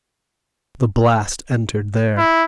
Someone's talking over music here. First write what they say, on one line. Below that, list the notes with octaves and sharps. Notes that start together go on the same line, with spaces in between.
The blast entered there.
E4